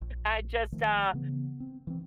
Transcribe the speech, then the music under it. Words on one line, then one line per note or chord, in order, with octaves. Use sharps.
I just, uh,
A#1
D#3 F3 A3
C#3 E3 B3
C4
E3 B3 C4